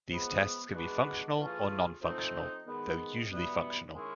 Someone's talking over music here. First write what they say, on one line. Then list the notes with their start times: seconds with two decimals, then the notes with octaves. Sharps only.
These tests can be functional or non-functional, though usually functional.
0.10 F3 G#3 B3
0.74 E3 G#3 B3 D4 F#4
1.38 E3 A3 C#4 F4 G#4
2.02 F3 A3 C4 D#4
2.66 D#3 G#3 B3
3.31 B2 G3 B3 E4
3.95 D#3 G#3 C#4 E4